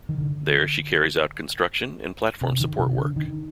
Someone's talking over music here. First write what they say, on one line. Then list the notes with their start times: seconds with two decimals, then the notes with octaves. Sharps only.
There she carries out construction and platform support work.
0.09 D#3
0.18 D3
2.41 C3
2.60 D#3
2.79 C3
2.97 D3
3.16 D#3